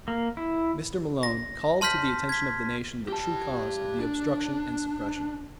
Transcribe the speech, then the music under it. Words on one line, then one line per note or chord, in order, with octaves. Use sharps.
Mr. Malone called to the attention of the nation the true cause of the obstruction and suppression.
A#3
E4
A#6
A5 C6 F6 G6 B6
G#6 B6
G4 A5
D4